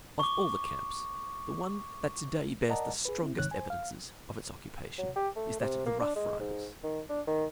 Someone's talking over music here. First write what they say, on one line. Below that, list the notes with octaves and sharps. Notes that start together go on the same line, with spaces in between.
Of all the camps, the one that to-day bears the strongest evidences of its occupation is that of the Rough Riders.
C#6 D6
A#4 D5 D#5 F#5 A5 A#5
G#4 B4
C4 E4
C#2 G#2 C3 D#3 C#5 F#6
C5 G#5
F5
F#3
G4
A3
C3
A#3
D4
G#3
G#2
D#3
D4
D#3